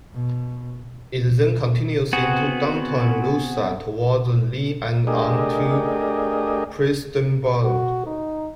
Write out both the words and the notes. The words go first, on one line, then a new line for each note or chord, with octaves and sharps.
It then continues into downtown Louisa toward Inez and on to Prestonsburg.
B2
B3 C4 F#4 G#4
A3 D4 G4 G#4 A#4 D#5
F#4
D#4